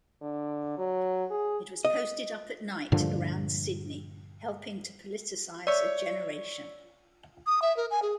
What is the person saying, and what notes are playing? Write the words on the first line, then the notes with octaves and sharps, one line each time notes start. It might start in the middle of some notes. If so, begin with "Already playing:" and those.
It was posted up at night around Sydney, helping to politicise a generation.
D3
F#3
G#4
D#5
G2 A#2 D3 F3
C#5 D5 E5
D#6
E5
A#4
G#5
G#4